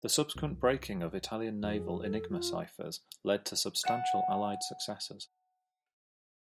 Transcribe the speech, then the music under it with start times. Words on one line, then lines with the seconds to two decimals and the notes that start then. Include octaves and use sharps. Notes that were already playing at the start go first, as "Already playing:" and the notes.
The subsequent breaking of Italian naval Enigma ciphers led to substantial Allied successes.
0.35 C2 F#2
1.63 F2 G#4
2.02 A4
2.29 F4
3.83 F#5 A5 F#6